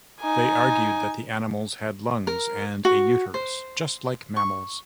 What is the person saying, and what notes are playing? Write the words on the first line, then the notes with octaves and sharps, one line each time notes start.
They argued that the animals had lungs and a uterus, just like mammals.
D#4 G#5
A#4
F#4
C5
C#6